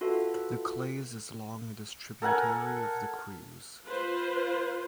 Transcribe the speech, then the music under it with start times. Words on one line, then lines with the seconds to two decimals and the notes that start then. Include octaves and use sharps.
The Claise is long and is a tributary of the Creuse.
0.01 F4 F#4 A4 B4 E5
2.22 A4 A#4 F#5 G#5
3.84 F4 B4 C5